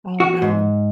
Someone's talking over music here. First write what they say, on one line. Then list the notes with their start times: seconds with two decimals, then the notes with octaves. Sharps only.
Oh, no.
0.20 F#4
0.42 G#2